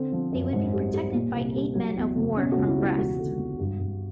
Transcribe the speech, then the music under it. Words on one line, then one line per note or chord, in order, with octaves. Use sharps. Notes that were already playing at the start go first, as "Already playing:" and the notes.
They would be protected by eight men-of-war from Brest.
Already playing: D3 C4
F3
F#2
G#2
G3
G3
A#2
C2
G3
F#3
E2
F#1
B2 C#4
F#4
C#2
E4
G3
E4
E1 F#4
D3
E1
G2
G2